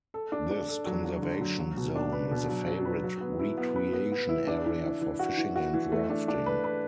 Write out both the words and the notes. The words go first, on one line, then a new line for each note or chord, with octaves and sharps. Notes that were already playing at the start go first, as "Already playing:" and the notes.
This conservation zone is a favorite recreation area for fishing and rafting.
A4
D4
D4
A4
F#3
F#3
D3
F#3
F#3
B2
D4
B4
B2
F#3
F#3
B4
F#3
B3
E4
B3
B4
B3
B3
E4
D4
E3
E3
E3
F#4
E3
F#4
E3
A3
D4
D4
B4
B4